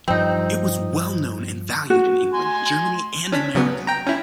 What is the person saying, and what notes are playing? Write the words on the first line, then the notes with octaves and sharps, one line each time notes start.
It was well known and valued in England, Germany and America.
G2 F3 C4 D#4
F#4
G#5 C6
C#4 D4 B6
C#3 F#3 B3
G5 A#5
C#4 E4